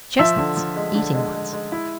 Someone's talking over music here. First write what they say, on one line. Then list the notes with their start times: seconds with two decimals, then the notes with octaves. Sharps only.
"Chestnuts--eating ones."
0.19 F3 E5 E6
0.38 D3
0.57 F3
0.76 G#3
0.95 D3
1.14 G#3
1.34 G#3
1.53 G#3
1.72 E4